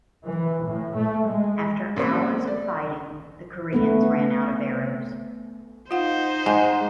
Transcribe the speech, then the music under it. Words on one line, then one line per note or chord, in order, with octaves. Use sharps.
After hours of fighting, the Koreans ran out of arrows.
E3
A2
A3
G#3
A1 A#3 C4
D5
A3 B3 B4
D#4 F4 C5 F5 F#5
G#2 G#3 G5